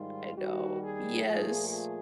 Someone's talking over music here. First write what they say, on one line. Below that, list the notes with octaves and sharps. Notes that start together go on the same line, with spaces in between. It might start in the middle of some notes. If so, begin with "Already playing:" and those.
I know. Yes.
Already playing: G#2 D#3 G3 F4
D#2 D#3 G3 F#4
G#4
A#2 F3 A3 G#4
G#4